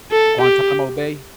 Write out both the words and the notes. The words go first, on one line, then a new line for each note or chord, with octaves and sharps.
Guantanamo Bay?
A4
G4